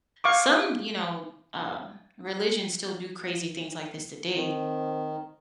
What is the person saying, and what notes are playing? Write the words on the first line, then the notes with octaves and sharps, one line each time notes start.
some, you know, uh, religions still do crazy things like this today,
F5 C#6 D6
D#3 C4